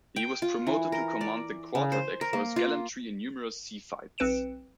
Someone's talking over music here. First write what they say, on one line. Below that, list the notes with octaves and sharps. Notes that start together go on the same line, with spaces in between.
He was promoted to command the quarterdeck for his gallantry in numerous sea fights.
G5
F4
E3
A#4
D5
C#3
C5
A#4
A#3
F4
B1 C4 B4 C#7 D7 E7